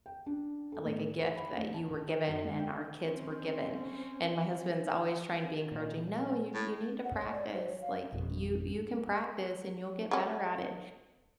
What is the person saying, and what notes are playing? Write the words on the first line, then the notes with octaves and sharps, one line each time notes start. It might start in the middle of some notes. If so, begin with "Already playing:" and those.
like, a gift that you were given and our kids were given." And my husband's always trying to be encouraging. "No. You you need to practice, like, you you can practice, and you'll get better at it."
G5
D4
A4
A2
C5
B5
A3
A5
F#2
G#3
G5
C4 C#4
A#2
A2
F#5
C#5
D5
C5
C#5
F5
G#1 F2 B2
F#3 C#4